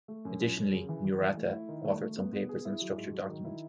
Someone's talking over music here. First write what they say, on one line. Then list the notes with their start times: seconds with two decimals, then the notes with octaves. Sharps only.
Additionally, Murata authored some papers on structured document.
0.08 A3
0.25 F#2
0.40 F#2
0.57 F#2
0.73 C#3
0.89 E3
1.05 E3
1.21 E3
1.37 A3
1.53 E4
1.68 D#3
1.84 A3
2.01 A3
2.17 B3
2.33 B3
2.49 G#4
2.65 E4
2.81 F#3
2.97 G#2
3.13 F#3
3.29 D#3
3.45 E4